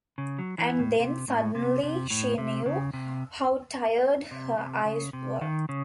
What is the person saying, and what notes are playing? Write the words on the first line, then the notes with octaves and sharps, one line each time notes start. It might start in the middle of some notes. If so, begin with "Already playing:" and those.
And then suddenly she knew how tired her eyes were.
C#3
F#3
E3
A2
C3
A2
C3
C3
A2
C3
C#3
C3
C3
C3
C#3
C3
D#3
C#3